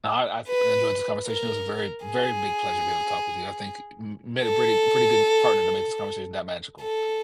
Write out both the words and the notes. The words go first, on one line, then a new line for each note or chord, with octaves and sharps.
Nah, I I enjoyed this conversation. It was a very, very big pleasure to be able to talk with you. I think m made a pretty pretty good partner to make this conversation that magical.
B4
A#4
G#4
A4
A4